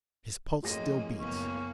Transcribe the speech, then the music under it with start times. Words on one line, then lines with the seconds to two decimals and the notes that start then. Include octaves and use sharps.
His pulse still beats.
0.63 A1 F2 G#3 A#3 G#4 A#6
1.20 F#1 A#3 B3 C#4